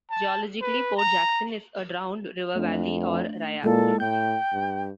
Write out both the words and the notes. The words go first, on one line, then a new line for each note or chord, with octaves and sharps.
Geologically, Port Jackson is a drowned river valley, or ria.
A5
B4
A#5
F2 A3 D4
A#2 G#3 A#3 E4 A4
A2 G5 G6
G2